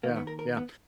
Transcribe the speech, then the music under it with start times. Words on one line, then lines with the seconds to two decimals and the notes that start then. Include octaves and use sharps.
Yeah, yeah.
0.03 D#2 D#3 A#3
0.16 B3
0.27 A#4
0.39 A#4
0.57 B3